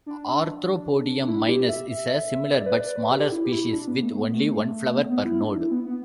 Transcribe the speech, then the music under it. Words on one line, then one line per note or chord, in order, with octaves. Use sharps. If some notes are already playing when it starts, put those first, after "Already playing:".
"Arthropodium minus" is a similar but smaller species with only one flower per node.
D4
D4
E4
G4
E5
E5
D5
B4
D5
B4
G4
E4
G4
E4
D4
B3
A3
B3
B3
A3
B3
B3
E4
D4
E4
B3
B3